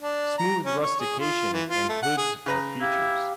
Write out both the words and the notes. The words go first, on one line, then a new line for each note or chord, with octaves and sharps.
Smooth rustication and hoods are features.
D4
A#5
C#4
C#5
G#4
F4
E3
F4
A3
F#5
G#4
C#3 B4 A#5
E4 G4 F5